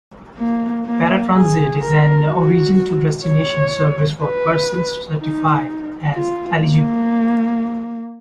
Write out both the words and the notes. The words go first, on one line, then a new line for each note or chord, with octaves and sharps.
Paratransit is an Origin to Destination service for persons certified as eligible.
A#3
A#3
G#4
A#4
F#4
C#5
B4
D#4
F4
A#3